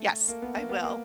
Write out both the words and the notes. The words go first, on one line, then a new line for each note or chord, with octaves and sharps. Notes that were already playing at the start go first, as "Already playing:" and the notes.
Yes, I will.
Already playing: A3
A#3
B3
A#3
B3
A#3